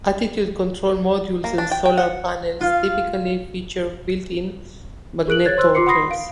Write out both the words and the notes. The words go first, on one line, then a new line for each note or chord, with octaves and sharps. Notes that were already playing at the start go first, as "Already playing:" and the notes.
Attitude-control modules and solar panels typically feature built-in magnetorquers.
A#3
D4
G5
G5
F#5
F4 F5
G#4 A#4 F#6 D7 F#7
C#5 F#6 G#6 A6
C5 C6 E6 F#6
F4 C6 D6 C7 C#7
F#5 B5 C6 D#6 A#6 C7
F5 D7